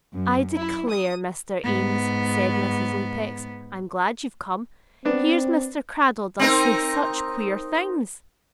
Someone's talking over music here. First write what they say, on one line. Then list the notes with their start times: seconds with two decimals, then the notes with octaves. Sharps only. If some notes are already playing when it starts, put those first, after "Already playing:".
"I declare, Mr. Eames," said Mrs. Lupex, "I'm glad you've come. Here's Mr. Cradell does say such queer things."
0.14 F#2
0.56 E4
0.90 D#6
1.64 G#2 B3
5.05 B3 C4 D4
6.39 C4 D#4 A#4